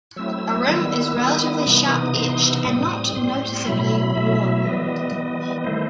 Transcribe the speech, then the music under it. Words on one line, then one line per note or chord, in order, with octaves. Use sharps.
The rim is relatively sharp-edged and not noticeably worn.
F#3 A3 C4 E4 E6
D#3 G3 B3 E4
D#3 G3 B3 E4 D#6
C3 E3 B3 D#4
C3 E3 B3 D#4 C6
D#6
E6
A2 G3 C4 D#6
A2 G3 C4 C6
B2 F#3 A3 E4 B5
B2 F#3 A3 E4 E5
E3 G3 B3 D#5
E3 G3 B3
D#3 A3 E4 C5